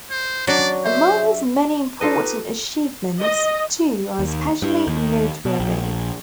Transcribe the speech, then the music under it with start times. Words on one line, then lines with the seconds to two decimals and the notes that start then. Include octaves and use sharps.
Among his many important achievements, two are especially noteworthy.
0.10 C5
0.47 F#3 D4 D5
0.84 C5 E5
2.01 D#4 F4 G4 A4 B4 D#5
3.21 D#5
4.19 D#2
4.62 G2
4.87 D#2
5.45 B2
5.60 A#1